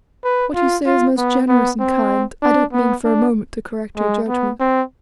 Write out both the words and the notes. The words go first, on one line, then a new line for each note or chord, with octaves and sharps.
What you say is most generous and kind; I don't mean for a moment to correct your judgment.
B4
F4
F4
B3
B3
C4
D4
B3
D4
G#3
B3
C4